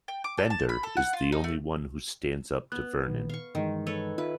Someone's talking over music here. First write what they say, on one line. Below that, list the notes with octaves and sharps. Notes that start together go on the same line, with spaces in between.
Bender is the only one who stands up to Vernon.
G5
D6
A4
A5
B5
A4
F#5
F4
D#4
A3
B3 F#6
A#2 D#3
F5 C#6
G2 D#3 E3 G#3
A4 B4 C#5
D#4 F4 B4 E5